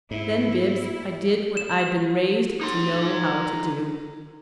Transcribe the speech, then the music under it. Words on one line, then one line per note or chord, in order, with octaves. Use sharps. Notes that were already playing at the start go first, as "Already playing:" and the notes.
Then, Bibbs, I did what I'd been raised to know how to do.
G#2 E4
E7
D#4 C6